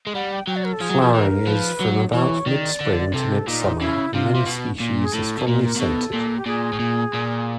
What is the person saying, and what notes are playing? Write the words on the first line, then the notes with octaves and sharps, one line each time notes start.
Flowering is from about mid-spring to mid-summer, and many species are strongly scented.
G#3
G3 F#5
G5
F#3 G5
D5
A#4
A4
F3 G#4
F#3
F3
E3 A#4
F3 B4
F#3
E3 C#5
D#3 D5
D3
C3 A4
A#2 D#4
C#3 E4
C3 F4
C3
B2
A#2
G#4
A2 A4
B2
A#2 A#4
A#4
A#2
B2 A4
A#2
G4
A#2 G#4
A2
A#2
A#2